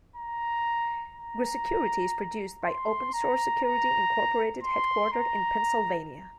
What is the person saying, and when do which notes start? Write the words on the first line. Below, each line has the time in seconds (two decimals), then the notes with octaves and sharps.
Grsecurity is produced by Open Source Security, Incorporated headquartered in Pennsylvania.
0.16 A#5
1.16 A#5
2.65 C6
3.14 A#5
3.63 A#5
4.63 C6
5.13 A#5